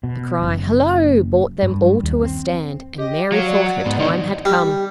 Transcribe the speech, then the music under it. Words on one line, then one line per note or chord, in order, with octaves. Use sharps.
The cry "Hollo!" brought them all to a stand, and Mary thought her time had come.
B2
F#1
G2
D#2
C4
G4 D#5
F#3 C#5 F5
D5
F#5
G#2 B3
D#3 D#4 E4 C#5 D#5
G3